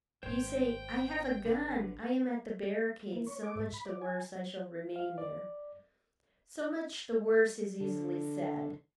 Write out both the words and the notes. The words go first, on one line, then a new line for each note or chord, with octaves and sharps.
You say: 'I have a gun, I am at the barricade; so much the worse, I shall remain there.' So much the worse is easily said.
G#1 C5 C#5 G5 C6
D3 B4
A#3
C#5
D6
G#2
B5
D5
G#5
F5
D5
D3